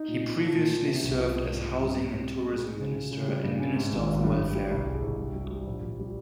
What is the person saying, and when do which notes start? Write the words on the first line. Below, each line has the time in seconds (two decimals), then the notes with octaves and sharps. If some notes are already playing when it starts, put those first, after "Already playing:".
He previously served as housing and tourism minister and minister of welfare.
Already playing: D#4
0.08 A#2
0.24 A#2
0.40 F3
0.55 A#2
0.71 A#3
0.88 C3
1.03 C2
1.20 F3
1.35 G3
1.51 G#2
1.67 G#2
1.83 G2
1.99 G2
2.15 C4
2.31 C4
2.47 G#3
2.63 G#3
2.80 C#3
2.95 C#3
3.11 C#3
3.28 G3
3.44 G2
3.60 C#4
3.75 G#2
3.92 G#1
4.07 G#1
4.24 G2
4.39 G2
4.55 G3
4.71 C2
4.87 G#3
5.02 C2
5.19 G2
5.35 G3
5.51 G3
5.67 A#1
5.82 A#1
5.99 G3